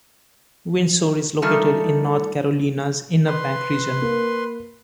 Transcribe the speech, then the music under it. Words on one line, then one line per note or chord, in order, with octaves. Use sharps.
Windsor is located in North Carolina's Inner Banks region.
D#3 G3 A3 D#4 F4 A4
B4 C6
A#3